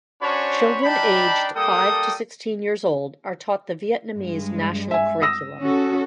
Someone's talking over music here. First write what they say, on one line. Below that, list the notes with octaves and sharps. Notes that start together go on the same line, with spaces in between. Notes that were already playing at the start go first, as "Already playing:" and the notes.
Children aged five to sixteen years old are taught the Vietnamese national curriculum.
C#4 D4 F#4 C5 C#5 B5
G3 D4 D#4 G5 A5 B5
G3 A#3 A4 G5 A5 D#6
G2 G#3
E5 G#5
D#6 E6 A#6
C#4 F#4 A4